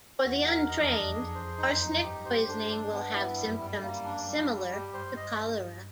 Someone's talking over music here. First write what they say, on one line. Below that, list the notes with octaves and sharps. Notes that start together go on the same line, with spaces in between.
For the untrained, arsenic poisoning will have symptoms similar to cholera.
E2 F#4
A#4
F2 D#5
D4
F2 G#4
C5
F#2 D#4
D#4
G2 G4
C5
D4
D4
B3
E4
F#2 G3
G3
F#2 A#3
D4
G3
G3
G2 G4
C5
D#5